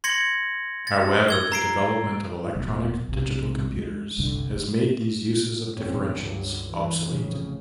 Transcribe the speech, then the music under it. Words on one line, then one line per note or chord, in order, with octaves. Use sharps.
However, the development of electronic digital computers has made these uses of differentials obsolete.
C6 G#6 A#6 C#7 F#7
A6
E6 G#6 G7
A#5 C7 D7
D#1 B2 F#3
B1 C3
G#3
F#1 C2 G2 D3
A1 F#2 B2 C4 C#4
C#2 G2 D3 F#3
E3
F1 A2 C#3